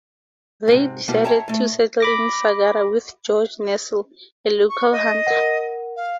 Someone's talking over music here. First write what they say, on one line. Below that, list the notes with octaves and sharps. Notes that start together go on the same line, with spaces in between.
They decided to settle in Sagara with George Nestle, a local hunter.
G#2 C3
B2 G3 A#3 B3 E4
C#5 E5 G5 A5 A#5
A2 A3
B5 D6 A#6
C#6
D#5
A#4 F#5
F5